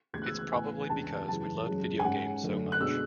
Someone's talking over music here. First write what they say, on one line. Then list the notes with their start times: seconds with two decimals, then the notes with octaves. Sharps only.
It's probably because we loved video games so much.
0.13 D2 C#3 E3 G#3 B3 G#6
0.22 F#6
0.26 E6
0.39 F#6
0.52 A2 E3 B3 E4 G#5
0.90 E2 C#3 G#3 B3 D4 A5
1.28 F#2 C#3 E3 G#3 A5
1.66 F#2 C#3 G#3
2.00 G#5
2.04 G#2 G#3 C#4 F#5
2.43 F#2 D3 A3
2.72 F#6
2.80 B2 G#3 D4 E6